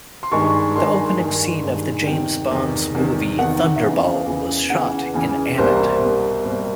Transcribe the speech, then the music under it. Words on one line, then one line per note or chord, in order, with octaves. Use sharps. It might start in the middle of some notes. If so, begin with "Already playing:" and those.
The opening scene of the James Bond's movie "Thunderball" was shot in Anet.
C6
G2 D#3 G#3 C#6
G2 D#3 G#3 C6
G2 D#3 G#3 C6
G2 D#3 G#3
E2 C3 D#3 G5
E2 C3 D#3
E2 C3 D#3
E2 C3 D#3 F#5
E5
E2 C#3 E3 F5
E2 C#3 E3
E2 C#3 E3 F#5
E2 C#3 E3
C2 B2 G3 A#3 C5
C2 B2 G3 A#3
C2 B2 G3 A#3 C5